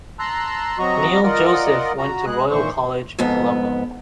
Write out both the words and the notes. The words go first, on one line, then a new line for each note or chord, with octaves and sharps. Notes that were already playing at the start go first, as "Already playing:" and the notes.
Neil Joseph went to Royal College, Colombo.
A5 A#5 C6 E6 F#6
C3 F#3 F#4 D#5 A#5 C#6
F4 A#4 D5 D#5 F#5
F#4 A#5
G#3 G#4 F#6
D#2 A#2 E3 C5 C#6
F2 G#2 B3